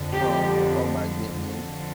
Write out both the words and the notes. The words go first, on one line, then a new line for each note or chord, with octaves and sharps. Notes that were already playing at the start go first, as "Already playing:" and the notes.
strong oh my goodness.
Already playing: F2 D3
G4
F2 D3